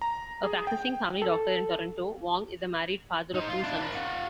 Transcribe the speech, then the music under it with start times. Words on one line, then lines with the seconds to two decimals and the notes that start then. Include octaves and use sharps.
A practicing family doctor in Toronto, Wong is a married father of two sons.
0.02 A#5
0.43 G#4
0.67 G5
1.22 A4
3.35 D#4 C5
3.49 F4
3.64 D4 E4
3.82 A#4 B5
3.95 F4 F#5